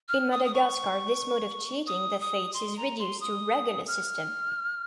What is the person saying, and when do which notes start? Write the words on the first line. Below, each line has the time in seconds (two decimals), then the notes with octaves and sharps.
In Madagascar this mode of cheating the fates is reduced to a regular system.
0.09 F6
0.32 D#6
0.45 D#6
0.54 C#6
1.87 D#6
2.21 D#6
2.54 C6
2.77 A#5
2.99 C6
3.21 D#6
3.88 F6